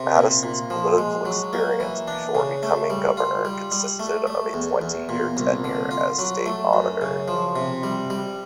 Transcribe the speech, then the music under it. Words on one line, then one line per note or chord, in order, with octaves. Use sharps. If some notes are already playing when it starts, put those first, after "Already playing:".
Madison's political experience before becoming governor consisted of a twenty-year tenure as state auditor.
Already playing: C3
A#2
A#2
F3
G#3
F#3
A#3
E3
D4
C#3
A3
G3
F4
G3
G3
A3
A3
E2
E2
A#2
C2
D3
F4
F#3
A3
F#2
C#3
F3
C3
G3
G3